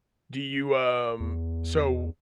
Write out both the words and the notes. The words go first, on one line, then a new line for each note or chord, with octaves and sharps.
Do you, um so,
E2